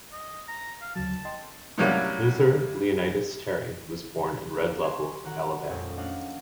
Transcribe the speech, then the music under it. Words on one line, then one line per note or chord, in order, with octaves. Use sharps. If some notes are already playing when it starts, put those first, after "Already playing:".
Luther Leonidas Terry was born in Red Level, Alabama.
D#5
A#5
F5
D2 C#3 F#3 A5
D#5 G5 C6
A2 C3 F#3 G3 A#3 C#4
D2 A#3 F#6 E7
G#5 C6 C#6
A1 D#3 F#4 F#5 A#5
F2 A#2 G#3 C#4 A4 G#5
A3 D4 D#5 F5 F#5